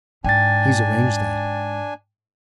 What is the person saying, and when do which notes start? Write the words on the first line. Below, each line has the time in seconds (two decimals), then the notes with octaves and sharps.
He's arranged that.
0.24 G#2 D4 G5 G#5 A6